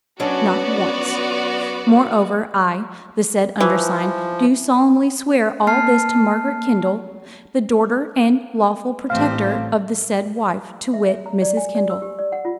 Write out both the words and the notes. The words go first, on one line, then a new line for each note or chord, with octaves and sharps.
Not once. Moreover, I, the said Undersigned do solumly Swear all this to Margaret Kendall, the dorter and Lawfull Protectur of the said Wife, to wit, Mrs. Kendall.
F#3 B3 C#4 D4 F#4 D5
E3 F3
A#3 A5 F6 C7
A1 A3 C4 G4 F5
E5
E5
A#5
D5
G#5
D5
E6
G4
D5
F#5
F4